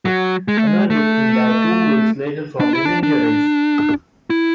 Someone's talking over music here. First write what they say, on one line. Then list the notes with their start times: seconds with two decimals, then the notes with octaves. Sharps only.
Another victim died two weeks later from his injuries.
0.05 F#3
0.48 G#3
0.57 A3
0.67 G#3
0.90 A3
2.60 D4
2.73 E4
2.85 D4
3.03 D4
4.30 E4